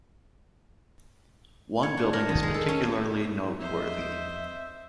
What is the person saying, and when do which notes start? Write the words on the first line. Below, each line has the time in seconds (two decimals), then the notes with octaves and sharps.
One building is particularly noteworthy.
1.83 C#5
1.97 D4
2.13 A#4
2.29 D#3
2.43 G#3
2.54 A4
2.68 C#4
3.60 E2 F3 C4 C5 D#5 E5